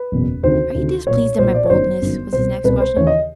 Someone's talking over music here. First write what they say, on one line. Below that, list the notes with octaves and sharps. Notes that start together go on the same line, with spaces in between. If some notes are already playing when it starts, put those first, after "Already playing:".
"Are you displeased at my boldness?" was his next question.
Already playing: B4
F#1 E2 B2
D2 C3 D#3 C5
D2 C3 D#3
B1 A#2 C#5
B1 A#2 C5
D5
C#5
G1 F#2 D#3 C5
G1 F#2 D#3
C2 B2 C5
C2 B2 B4
C5
D#2 C#3 E3 C#5
D#5